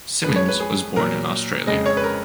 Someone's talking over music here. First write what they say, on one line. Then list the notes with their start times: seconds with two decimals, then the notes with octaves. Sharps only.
Simmons was born in Australia.
0.24 F2 F3 G#3 B4
0.36 C#5
0.48 B4
0.60 G#4
0.96 A#2 F#3 A#4
1.67 F2 C#3 G#3 D#5
1.86 C#5
1.97 B4
2.04 A#4